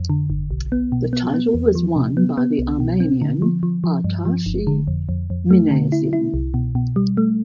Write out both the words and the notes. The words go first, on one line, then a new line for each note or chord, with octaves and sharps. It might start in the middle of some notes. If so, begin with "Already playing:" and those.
The title was won by the Armenian Artashes Minasian.
Already playing: F2
D3
G1
B1
B3
B2
B3
B3
E2
F3
C3
B3
B3
C2
B2
C4
D3
F3
F3
F3
G2
F3
G1
D3
F2
F2
F2
A3
D3
E4
E4
C2
B2
B2
G3
A3